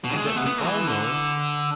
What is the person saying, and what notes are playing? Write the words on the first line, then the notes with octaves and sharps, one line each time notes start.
And that we all know.
B2
G#3
A3
B3
B3
E3
D3